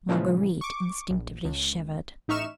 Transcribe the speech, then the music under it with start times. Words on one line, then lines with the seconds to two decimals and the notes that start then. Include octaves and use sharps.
Marguerite instinctively shivered.
0.08 A#2 C#3 E3 F3 G#3
0.61 C#6 D6
1.10 A#1
1.45 C#2
2.28 A1 D#4 E5 C#6 F6 E7